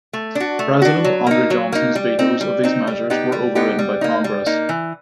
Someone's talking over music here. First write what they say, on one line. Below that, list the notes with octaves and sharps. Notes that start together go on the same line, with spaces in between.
President Andrew Johnson's vetoes of these measures were overridden by Congress.
A3
D4 F#4
A3
D4 F#4
F#3
A#3 D#4
F#3
A#3 D#4
G3
C4 D#4
G3
C4 D#4
G3
B3 D#4 G4
G3
B3 D#4 G4
G3
A#3 D#4
G3
A#3 D#4
E3